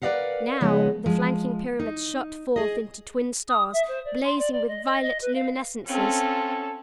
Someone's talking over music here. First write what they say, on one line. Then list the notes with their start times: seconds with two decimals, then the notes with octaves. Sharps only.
Now the flanking pyramids shot forth into twin stars, blazing with violet luminescences.
0.02 A#4 B4 D5 D#5 F5 F#5
0.61 C#3 F3 G#3 B3 D#4
1.06 F3 G#3
1.79 D#4
2.56 G#4 D#5
3.48 D#6
3.73 E5
3.88 C5
4.05 D5
4.24 C6
4.39 D5
4.52 D5
4.68 D#5
4.85 D#5
5.02 D#5
5.22 B4
5.35 F5
5.87 C4 C#4 F4 A4